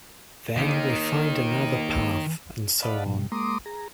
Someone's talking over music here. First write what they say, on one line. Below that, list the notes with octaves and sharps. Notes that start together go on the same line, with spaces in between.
Then we find another path, and so on.
D#2 D#3
D5 D#5 F5 F#5 A5 B5
A#2 F#3
B2 G3
G#3 A#3 A#5 C6 D6 D#6
G#4 A#5